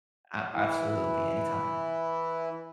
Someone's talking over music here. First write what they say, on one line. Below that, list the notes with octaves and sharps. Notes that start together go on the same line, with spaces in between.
A absolutely, anytime.
E3 E4